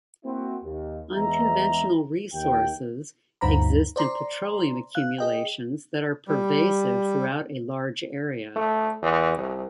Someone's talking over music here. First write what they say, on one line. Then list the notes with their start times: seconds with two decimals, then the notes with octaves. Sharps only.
"Unconventional resources" exist in petroleum accumulations that are pervasive throughout a large area.
0.24 A#3 C4 E4 F#4
0.63 D#2
1.13 E2 G#3 E5 A#5
2.33 D#2 G5
3.41 D2 G2 D#4 C5 A#5 B5
3.96 C5 D5 A#5 C6
4.95 F5 F#6
5.18 G#4 D#5 G5
6.28 G3
8.56 A3
9.02 E2
9.37 C2